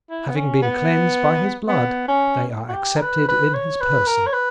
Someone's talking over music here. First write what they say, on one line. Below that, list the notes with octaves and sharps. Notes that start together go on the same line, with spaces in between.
Having been cleansed by his blood, they are accepted in his person.
E4
B3
C#4
B3
B3
C#4
F#4
G4
A#4
B4
B4
C#5
B4
A#4
C#5
B4